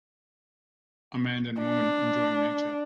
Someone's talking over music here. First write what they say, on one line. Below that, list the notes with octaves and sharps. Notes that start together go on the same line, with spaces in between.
A man and a woman enjoying nature.
D4